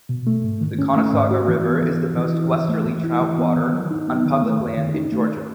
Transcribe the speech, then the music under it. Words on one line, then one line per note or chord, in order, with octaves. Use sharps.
The Conasauga River is the most westerly trout water on public land in Georgia.
B2
A3
G#2
D#3
C#4
A3
G#2
F#4
E3
B3
E3
F#4
E3
E4
E3
A3
E3
E4
E3
B3
D#3
F#3
D#4
B3
D#3
A3
F#2
D#3
D#4
A3